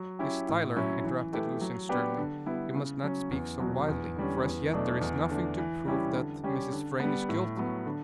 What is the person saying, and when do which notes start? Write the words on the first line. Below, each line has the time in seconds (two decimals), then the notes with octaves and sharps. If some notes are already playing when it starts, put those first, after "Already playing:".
"Miss Tyler," interrupted Lucian sternly, "you must not speak so wildly, for as yet there is nothing to prove that Mrs. Vrain is guilty."
Already playing: F#3
0.19 C#4 E4 G4
0.48 A2
0.76 F#3 C#4 E4
1.04 E3
1.33 A3 E4 G4 B4
1.61 F#3
1.89 B3 D4 G4 B4
2.18 D3
2.46 G3 B3 E4
2.75 C#3
3.03 F#3 C#4
3.31 E2
3.60 B2 F#3 B3
3.88 E2
4.16 D3 G3 C#4
4.45 E2
4.73 B2 F#3 A3 D4
5.01 E2
5.30 D3 A3 D4
5.58 E3
5.87 G3 C#4 E4 G4
6.15 D3
6.44 G3 C#4 G4
6.72 D3
7.00 G3 B3
7.29 A2
7.56 F#3 B3
7.86 D3